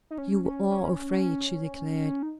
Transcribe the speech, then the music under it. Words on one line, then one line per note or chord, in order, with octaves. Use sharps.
"You are afraid," she declared.
D#4
C#4
C#4
C#4
C#4
D#4